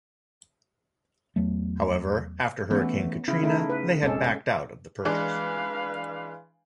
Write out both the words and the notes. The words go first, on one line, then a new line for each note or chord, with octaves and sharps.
However, after Hurricane Katrina, they had backed out of the purchase.
E2 F#3 A3
E3 A3 B3 C#4
C#3 E4
A3 D#4 E4
B4
F1 C3 G#3 C#4 A4
E3 G#3 D4 B4 F5